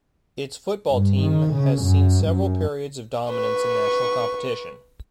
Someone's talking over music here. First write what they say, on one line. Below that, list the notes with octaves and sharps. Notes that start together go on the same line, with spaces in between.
Its football team has seen several periods of dominance in national competition.
G2
D#3
C#3
F#2
F#2
B4 C#6